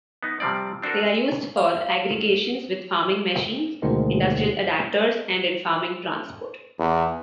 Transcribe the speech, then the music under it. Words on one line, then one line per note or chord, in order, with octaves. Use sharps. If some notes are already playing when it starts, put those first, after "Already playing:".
They are used for aggregations with farming machines, industrial adaptors and in farming transport.
B3 D#4
C3 F3 G3 C4 D5
C4 D4 F#4 A4 A#4
F5
D2 B2 D#3 F3 G#3 A#3
E2